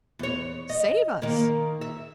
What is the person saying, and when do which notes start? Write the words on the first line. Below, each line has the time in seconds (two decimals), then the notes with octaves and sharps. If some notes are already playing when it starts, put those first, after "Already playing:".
Save us!
0.19 E2 C#5
0.69 D#5
1.22 D#3 A#3
1.81 E5